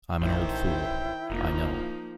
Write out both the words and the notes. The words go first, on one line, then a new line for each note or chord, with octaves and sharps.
I’m an old fool, I know.
A1 D#3 E4 C5 G5
F1 F3 A#3 D#4